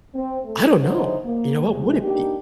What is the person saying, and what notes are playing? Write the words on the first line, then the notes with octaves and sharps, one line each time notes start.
I don't know. You know, what would it be?
C4
A3
G#2 D3 E3 F#3 D#4 C5
A#3
E2 C3 G#3
A#3 D4 D#4 G4